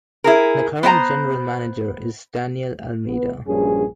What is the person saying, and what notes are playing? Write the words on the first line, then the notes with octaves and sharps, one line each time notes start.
The current general manager is Daniel Almeida.
E4 G#4 A#4
B3 C5 D#5 G5 A#5
B3
A#1 G2 F#3 C#4 G#4